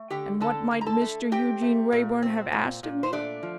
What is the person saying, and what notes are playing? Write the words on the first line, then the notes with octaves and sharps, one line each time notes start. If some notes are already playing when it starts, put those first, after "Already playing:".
And what might Mr Eugene Wrayburn have asked of me?'
Already playing: A3
D3 G4 G5
D3 A4 A5
D3
A#5
A4 A5
A3
C4 G4 G5
A3
A#2
C4
A#2
A#2
C5
A3 D4 D5
F3